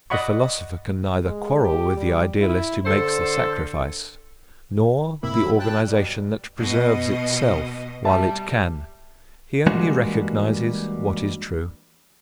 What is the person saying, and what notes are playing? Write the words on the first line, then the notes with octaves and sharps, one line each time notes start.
The philosopher can neither quarrel with the idealist who makes the sacrifice nor the organization that preserves itself while it can; he only recognizes what is true.
D5 D#5 F#5 B5 C#6
G#3
G4
G3
E4
D3 A4 C5
G2 C3 A#3 E4 E5 B5
F#3
G5 A5 F#6
B2 G3
B2 D#5
G3 E5 A5
E3 G3 G#3 A#3 D4 F#4